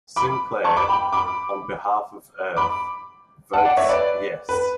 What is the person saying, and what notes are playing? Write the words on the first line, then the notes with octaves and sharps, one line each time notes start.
Sinclair, on behalf of Earth, votes "Yes".
B5 D6
A5 C#6
B5 D6
G5 B5
B5 D6
B5 D6
F#5 A5
D5 F#5
C#5 E5
B4 D5
B4